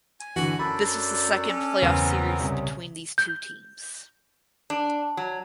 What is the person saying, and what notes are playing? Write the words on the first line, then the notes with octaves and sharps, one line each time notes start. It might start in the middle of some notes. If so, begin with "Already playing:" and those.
This was the second playoff series between these two teams.
G#5
D3 E3 F#4
F#2 D4 A4 D5 B5
C#4
E2 C#3 B3 C4 A#4
C2 C#3
G6
D4
F#3